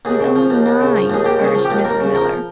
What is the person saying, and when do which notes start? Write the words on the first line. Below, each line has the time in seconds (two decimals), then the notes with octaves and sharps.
"He's only nine," urged Mrs. Miller.
0.05 D#2 G#4
0.20 C#3
0.36 F3
0.50 D#2
0.66 D#2
0.81 C#3
0.96 F3
1.10 D#2 G#4
1.25 D#2 G4
1.40 C#3
1.45 G#4
1.55 F3
1.65 G4
1.71 D#2
1.85 D#2 A#4
2.00 C#3
2.15 F3 A#4